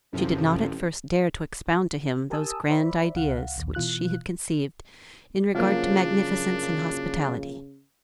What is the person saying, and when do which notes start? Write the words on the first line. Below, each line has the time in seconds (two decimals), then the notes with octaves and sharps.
She did not at first dare to expound to him those grand ideas which she had conceived in regard to magnificence and hospitality.
0.13 A1 F#2 C3 F3
2.30 G4 A#4 G#5 A5 D#6 E6
2.70 C5 D5 E5 B5
3.15 C#2 F5 F#5
3.56 A#1 D#2
3.75 B2 E3 F4 F#6
5.55 C#3 F3 F#3 A#3 D4 F4 F5